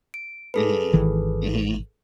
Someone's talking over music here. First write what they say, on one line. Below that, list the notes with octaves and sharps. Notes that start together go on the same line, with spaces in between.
Mhm, mhm.
D7
G#4 A4 B4
G#1 D#3 E3